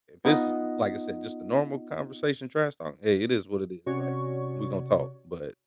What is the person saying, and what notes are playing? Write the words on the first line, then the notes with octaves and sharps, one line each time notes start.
if it's, like I said, just a normal conversation trash talk, hey, it is what it is, like, we're gonna talk, but,
B3 D#4 F4 D#5 F#5
C3 C#4 F#4 C#5 D5 C#6